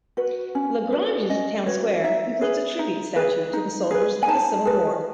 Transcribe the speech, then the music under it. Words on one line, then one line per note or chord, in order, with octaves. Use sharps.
LaGrange's town square includes a tribute statue to the soldiers of the Civil War.
F#4 B4
C#4
F#4 B4
C#4 D#5
F#4 B4 C#5
D#4 E5
G#4 B4
D#4
G#4 B4
D#4
G#4 B4
G#5
D#4 A5
G#4 B4